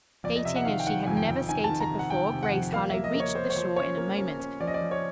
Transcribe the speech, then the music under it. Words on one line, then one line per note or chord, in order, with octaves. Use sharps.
Skating as she had never skated before, Grace Harlowe reached the shore in a moment.
F2 D5
D#5
C3 E5
F#5
D#3 F5
G5
D#3 F#5
F2 G#5
G5
F2
D#3 G#5
A5
D#3
A#5
C3
F#5
D#3 G5
C3
F#5
F2
A#3 F5
E5
A#3
D#5
A#3 C#5
A#3 C5
C#5
F3 C5
C#4 C#5
A#3
C#4
C#4
F3 D5
D#5
D5
F3
C#5